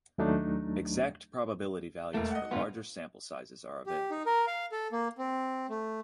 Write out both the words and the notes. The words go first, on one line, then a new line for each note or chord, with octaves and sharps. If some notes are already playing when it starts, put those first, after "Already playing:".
Exact probability values for larger sample sizes are available.
D#2 F#3 A3 D4 D#4
E1 A3 A#3
D#5 F#5
G#2 D3 B3 F4
G4
D#4
A#4
F5
A4
A#3
C4
A3